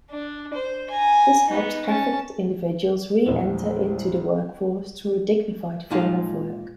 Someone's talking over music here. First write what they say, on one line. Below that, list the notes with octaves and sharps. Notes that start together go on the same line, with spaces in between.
This helps trafficked individuals re-enter into the workforce through a dignified form of work.
D4
C5
G#5 A#5
B3 D#4
C#4 A5
A#1 E2
A#2 G#3 D#4 F4 F5 A5